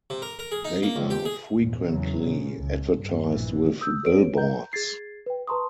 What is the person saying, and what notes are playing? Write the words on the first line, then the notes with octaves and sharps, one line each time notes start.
They are frequently advertised with billboards.
C3
A#4
A#4
G#4
D#4
A#3
C#2
G4
G#4
A#1 E2 G#2
E2 C#3 E3 F#3
A#2 C#3
C#2
G2
A#1 G2 E3
D#6 E6 G6
F#4 A4 B4 C#5 D7
A#5 G6
G#4 G#6 A6 C7
B4 G5
B4 A5 A#5 C6 C#6 D#6